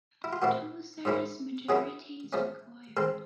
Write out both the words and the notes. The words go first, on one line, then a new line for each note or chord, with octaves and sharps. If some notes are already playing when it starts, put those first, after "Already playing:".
Two-thirds majority is required.
E4
F4
A#2 F3 A3 C4 E4 F#4
G#2 F3 A#3 C#4 E4
C#3 F#3 A#3 C#4 E4 G#4
C#3 F3 A3 C#4
D#3 G#3 C4 A4